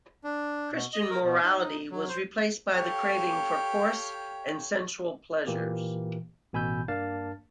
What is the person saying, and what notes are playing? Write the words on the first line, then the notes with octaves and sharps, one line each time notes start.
Christian morality was replaced by the craving for coarse and sensual pleasures.
D4
B2
D#5
A#4
B2
D#4
F#3
C5
G4 A4 C#5 F5 G5
A#2 E3 A#3 G4
A1 B2 G#5 B5 E6 G6
G2 A#3 D4 F5 A5 A6